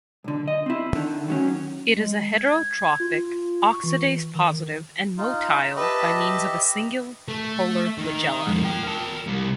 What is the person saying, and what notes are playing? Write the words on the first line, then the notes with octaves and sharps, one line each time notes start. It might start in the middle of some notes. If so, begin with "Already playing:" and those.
It is heterotrophic, oxidase-positive, and motile by means of a single polar flagella.
B1 D3
D#5
C4 E4
D3 D#3
D#3 F#3 C#4
G#3
G#6
F4
C#6
E3
D#3
D#4 F4
G4 B4 D#5 E5 A5
A3
D#3
F2 G#3
F4 G5
A#4 A5
C2 G3